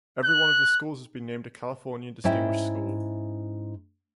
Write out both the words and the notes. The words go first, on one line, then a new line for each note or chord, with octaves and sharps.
Every one of the schools has been named a California Distinguished School.
F#6
G#2 C#4 E4 G5